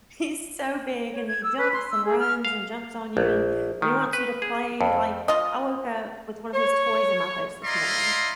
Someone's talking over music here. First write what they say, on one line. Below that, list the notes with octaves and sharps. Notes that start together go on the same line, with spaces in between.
He's so big, and he jumps, and runs, and jumps on you, and when he wants you to play, like, I woke up with one of his toys in my face this morning,
C#5
G#6
E6
B4
C6
E6
G#4
F6
F5
A#1
D#3
B4
G#4
F2
F4 D#5
C#5
E4 D5 D#5 F5 A#5 C6